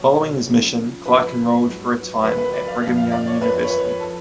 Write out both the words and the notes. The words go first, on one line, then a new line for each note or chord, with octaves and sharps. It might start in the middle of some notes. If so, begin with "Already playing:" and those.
Following his mission, Clark enrolled for a time at Brigham Young University.
Already playing: C#2 B2 F#3 C#5
D2 C#3 F3
F#2 D3 F3 B4
G#2 F#3
D2 D3 F#3 B4
B4
D5
F5
F2 F3 F5
F5
D5
C#5
F2 F3 B4
C#5
B4
F3 A4